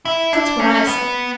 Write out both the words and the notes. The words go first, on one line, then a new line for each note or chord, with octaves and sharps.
That's what I said.
E4
D4
C#4
B3